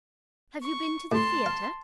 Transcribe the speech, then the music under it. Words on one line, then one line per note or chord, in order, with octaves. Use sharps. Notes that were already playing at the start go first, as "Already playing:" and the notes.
"Have you been to the theatre?"
C#6
A2 A5 C6
F5